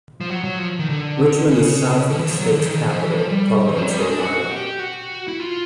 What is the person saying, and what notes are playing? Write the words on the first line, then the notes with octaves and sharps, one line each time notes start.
Richmond is south of the state's capital, Providence, Rhode Island.
F3
F#3
F#3
F3
D#3
D3
C#3
D3
E3
F3
F#3
D3
D#3
E3
D#3
F3
E3
F3
G3
E3
F3
F#3
G3
G#3
D4
F#4
F#4
G4
F#4
E4
F4